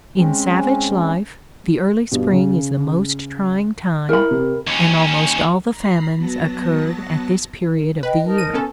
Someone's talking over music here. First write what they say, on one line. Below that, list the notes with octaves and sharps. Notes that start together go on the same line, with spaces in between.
In savage life, the early spring is the most trying time and almost all the famines occurred at this period of the year.
G#3 C4 C#4
G2 B2
C#3
E4 A#4 B5
C3
D#2 C#4
A#5 B5 C7
F#3 B3 A5 A#6
B4 D#5 G5
D#4 A#4 A5
D#7
B3 C#4 A4